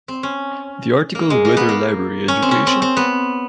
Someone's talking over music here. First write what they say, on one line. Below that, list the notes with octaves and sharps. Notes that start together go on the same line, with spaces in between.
The article Whither Library Education?
C4
C#4
A#3
G#3
A#3
B3
A#3
C#4
C4
C#4
C4
C4
B3